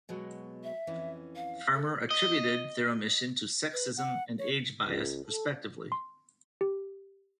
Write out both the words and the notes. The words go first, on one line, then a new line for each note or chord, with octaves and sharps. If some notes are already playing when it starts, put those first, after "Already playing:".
Farmer attributed their omission to sexism and age bias, respectively.
B2 F#3 G#3
E5
F2 E3 C#4
F5
A4
D#5
B4
F#5
C#5
C#2
A4
C6
G4